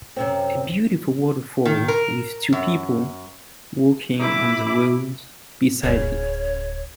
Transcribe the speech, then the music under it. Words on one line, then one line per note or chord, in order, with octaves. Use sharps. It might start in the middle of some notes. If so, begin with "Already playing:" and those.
A beautiful waterfall with two people walking on the road beside it.
F#2 C3 C4
D#3
A#4
F#2
E4 D6
D1 C2 F#2 C#3 C#5